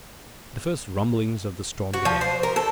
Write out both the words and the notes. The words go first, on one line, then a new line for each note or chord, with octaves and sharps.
The first rumblings of the storm began.
F#4
F3
C5
A#4
A4